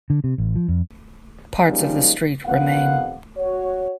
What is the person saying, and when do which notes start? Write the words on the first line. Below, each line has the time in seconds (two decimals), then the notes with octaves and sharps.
Parts of the street remain.
0.10 D3
0.24 C3
0.38 A1
0.56 F3
0.68 F2
1.67 F3 G3 G#3 A#3 C#4 D#4
2.44 F2 C3 D#3 B3 F5 F#5
3.36 F#4 C#5